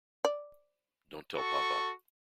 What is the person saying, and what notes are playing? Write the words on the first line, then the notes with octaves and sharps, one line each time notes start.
Don’t tell papa.
D5
F#4 A4 C#6